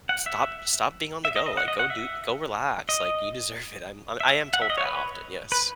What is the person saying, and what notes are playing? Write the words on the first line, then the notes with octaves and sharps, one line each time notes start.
"Stop stop being on the go. Like, go do go relax, like, you deserve it." I'm I am told that often, yes.
F#5
E5
E5
D#5
D#5
F#5
D#5
F#5
E5
D#5
E5
F#5
E5
D#5
C#5
B4
B4